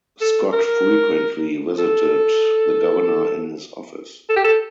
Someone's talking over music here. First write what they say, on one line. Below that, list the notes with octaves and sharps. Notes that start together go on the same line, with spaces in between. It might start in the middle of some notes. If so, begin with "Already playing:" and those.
Scott frequently visited the governor in his office.
A4
A#4
A4
A4
G4
A4